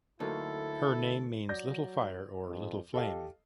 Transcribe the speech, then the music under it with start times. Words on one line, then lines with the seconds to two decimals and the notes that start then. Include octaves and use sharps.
Her name means "little fire" or "little flame".
0.20 D2 F#3 A#3 D#4 E4 A4
1.49 F#3 D5 G6 A#6
2.49 F2
2.94 G4 A4 D#5 F5